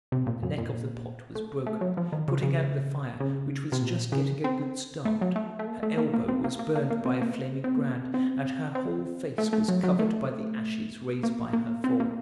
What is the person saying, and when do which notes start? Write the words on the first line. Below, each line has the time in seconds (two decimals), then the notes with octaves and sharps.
The neck of the pot was broken, putting out the fire, which was just getting a good start, her elbow was burned by a flaming brand, and her whole face was covered by the ashes raised by her fall.
0.12 C3
0.27 A#2
0.43 F#2
0.58 A#2
1.35 A3
1.66 A3
1.81 F#3
1.97 F3
2.12 D#3
2.28 C#3
2.43 C#3
3.20 C#3
3.72 C3
3.82 A#2
4.12 C#3
4.44 C4
5.05 A3
5.21 F#3
5.36 A3
5.59 A3
5.67 A#3
5.83 A3
5.98 A#3
6.14 A#3
6.28 C4
6.44 A#3
6.59 A#3
6.75 A#3
6.90 A#3
7.06 C4
7.22 A#3
7.64 C4
7.77 A#3
7.89 C4
8.14 C4
8.75 C4
9.38 A3
9.53 A3
9.68 F#3
9.83 F#3
9.99 A3
11.23 A#3
11.53 A#3
11.84 C4
12.00 A#3